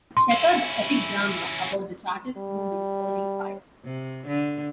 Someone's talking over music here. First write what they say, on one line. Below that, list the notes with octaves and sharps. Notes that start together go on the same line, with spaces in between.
Shepherd's epic drama about the Chartist movement, Holding Fire!
C6
C#4 E4
G3
C3
D3